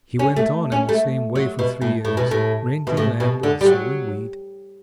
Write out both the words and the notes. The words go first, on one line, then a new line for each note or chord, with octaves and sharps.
He went on in the same way for three years; renting land and sowing wheat.
C#4
A3
C#4
A3
F#3
B2
A2
A2
B2
A2
B2
A2
B2
D3
G3
F#3